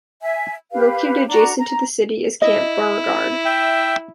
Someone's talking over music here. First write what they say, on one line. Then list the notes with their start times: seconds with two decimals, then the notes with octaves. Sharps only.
Located adjacent to the city is Camp Beauregard.
0.22 E5 G#5
0.72 G4 B4 F5
1.28 D4 F#4 A#5
1.58 A#5
2.42 E4 D#5
3.45 E5 G5